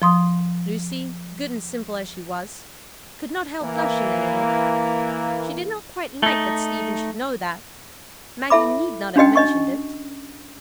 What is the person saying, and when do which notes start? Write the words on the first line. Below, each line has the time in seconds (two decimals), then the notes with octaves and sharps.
Lucy, good and simple as she was, could not help blushing a little. She did not quite like that Stephen should know that; Maggie need not have mentioned it.
0.02 F3 C6 D#6
3.62 E3 A#3
6.22 A3 D#4
8.50 E4 A4 E5 B5 D6
9.16 C#4 D4 F#4 D#5 G5
9.36 D4 D#5 C#6